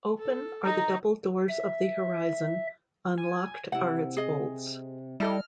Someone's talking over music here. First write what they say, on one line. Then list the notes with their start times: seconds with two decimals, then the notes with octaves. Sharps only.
Open are the double doors of the horizon; unlocked are its bolts.
0.19 A4
0.64 D#4 A#5
1.49 E5
3.18 G#5
3.72 C3 E4 F#5
4.17 G#4 D#5
5.20 G3 E4 A4 D#5 F6